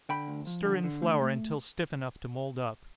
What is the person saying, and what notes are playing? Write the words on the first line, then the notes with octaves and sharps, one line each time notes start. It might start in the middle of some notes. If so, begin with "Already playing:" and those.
Stir in flour until stiff enough to mould up.
D3 G5 B5
D2
F3
D3
D3
A3
A3